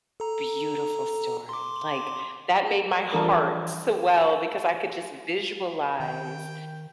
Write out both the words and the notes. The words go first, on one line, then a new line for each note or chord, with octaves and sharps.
beautiful story. Like, that made my heart swell because I could just visualize,
A4 A#5
C6 D6
E3 F3 G3 D4 A4 A#4
D#3 G5